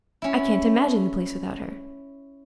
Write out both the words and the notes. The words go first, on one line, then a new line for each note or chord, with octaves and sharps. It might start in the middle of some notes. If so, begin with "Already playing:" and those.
I can't imagine the place without her.
C#4 E4